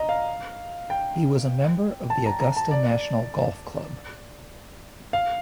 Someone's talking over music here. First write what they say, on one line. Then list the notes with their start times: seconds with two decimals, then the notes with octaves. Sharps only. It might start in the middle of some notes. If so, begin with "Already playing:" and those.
He was a member of the Augusta National Golf Club.
Already playing: D#5 A#5
0.09 F5
0.90 G5
2.10 A5
2.26 A#5
2.40 A#5
2.57 A5
2.71 D5
5.13 F5